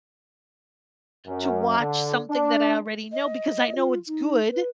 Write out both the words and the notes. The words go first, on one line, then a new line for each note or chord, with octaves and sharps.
to watch something that I already know because I know it's good
F#2
D3
D4
D#5
F4
D#4
B4